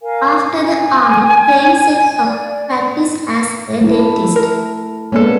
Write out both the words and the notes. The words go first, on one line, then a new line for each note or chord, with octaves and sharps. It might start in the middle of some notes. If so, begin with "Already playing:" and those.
After the Army, Crane set up practice as a dentist.
A#4 F5 G#5
G#5
D5
A3 E4
A#4
G#3 A#3 B3 C#4 D4 A4